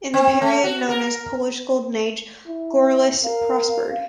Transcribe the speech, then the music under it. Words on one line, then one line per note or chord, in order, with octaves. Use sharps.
In the period known as Polish Golden Age, Gorlice prospered.
C4
A3
F#4
A#4
E4
A#4 F5